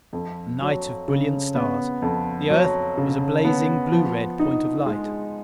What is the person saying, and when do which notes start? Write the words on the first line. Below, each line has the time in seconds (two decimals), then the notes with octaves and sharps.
A night of brilliant stars; the Earth was a blazing blue-red point of light.
0.13 F2
0.61 F#3
1.08 C#3
1.55 B3
2.02 F2
2.50 F#3
2.97 C#3
3.45 B3
3.92 F3
4.39 D#4
4.86 G#3